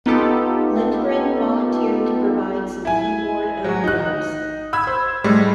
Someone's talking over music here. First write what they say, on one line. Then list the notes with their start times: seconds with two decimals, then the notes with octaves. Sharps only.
Lindgren volunteered to provide some keyboard overdubs.
0.06 B3 D#4 F4 G4 A4
2.85 E4 G#5
3.64 F#3 F#4
3.84 D#4 F#6
4.73 B5 E6 G#6
4.87 C5
5.24 A2 G3 G#3